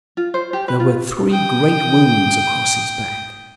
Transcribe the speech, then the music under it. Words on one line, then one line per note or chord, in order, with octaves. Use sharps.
There were three great wounds across his back.
F4
C5
G4
B4
F4
G5 D#6